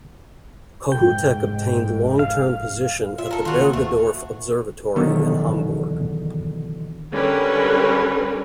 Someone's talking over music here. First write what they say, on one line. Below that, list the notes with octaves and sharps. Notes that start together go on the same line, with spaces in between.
Kohoutek obtained long term position at the Bergedorf Observatory in Hamburg.
F1 G#2 G5
F5
F4 E5
A4 A#4
D#3 F4 F#4
A#3
D2 A3
E2 B2 D3 D#3 F#3
D3 G3 C#4 A#4 B4 C#5